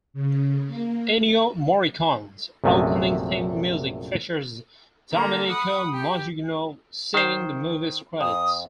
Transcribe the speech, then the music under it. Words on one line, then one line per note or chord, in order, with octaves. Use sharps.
Ennio Morricone's opening theme music features Domenico Modugno singing the movie's credits.
C#3
A#3
A#1 F#2 C3 A3 D#5 G#5
D3 A#3 A#5
F#5 B5 D#6
G4 G5
D#3 C5
F2 D#6